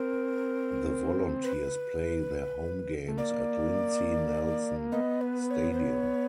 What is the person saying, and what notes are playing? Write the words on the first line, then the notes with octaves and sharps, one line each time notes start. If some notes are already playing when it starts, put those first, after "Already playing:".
The Volunteers play their home games at Lindsey Nelson Stadium.
Already playing: C4 A#4
B4
A3
A#3 D5
B3 D#5
B4
C#5
C5
C#5